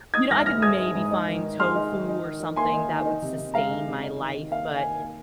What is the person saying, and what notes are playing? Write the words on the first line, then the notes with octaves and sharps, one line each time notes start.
you know, I could maybe find tofu or something that would sustain my life, but
D#4 D#6 G#6
G#2 F6 A#6
G#2 F6 A#6
G#3 D#6 G#6
D#4
G#2
D#4
D#3
D#3
G#3 C6 F6
D#4
D#3
D#4
D#3
D#3
A#3 G#5 C6
D#4
D#3
D#4
C3
C3
G#3 F5 A#5
D#4
C3
D#4
D#3
D#3
A#3 F5
D#4
G#5
D#3
A#3